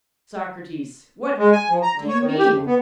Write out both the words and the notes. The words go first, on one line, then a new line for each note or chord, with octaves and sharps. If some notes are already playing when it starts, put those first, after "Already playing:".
SOCRATES: What do you mean?
G#3
G#5
F3
A#5
D3
C#5
D#3
G4
F2
B3